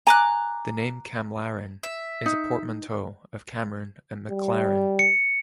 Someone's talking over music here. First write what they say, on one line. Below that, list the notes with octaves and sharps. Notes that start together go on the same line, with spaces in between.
The name "Camlaren" is a portmanteau of Cameron and McLaren.
G#5 A#5 D6 F#6
E5
D#4
G3
C#7